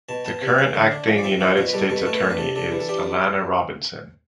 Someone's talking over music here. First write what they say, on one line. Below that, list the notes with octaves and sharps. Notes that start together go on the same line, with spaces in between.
The current Acting United States Attorney is Alana Robinson.
B2 A5
B3 A5
C3
D5
E2 E5
D3
D4
F3
D5
C4 E5
F3 D5
B2 C5
B4
G3 A4
B2 A4
B4
A3 A4
B4
D4 A4
B4
C3 A4
D4 A4
E3
A4
D4 G4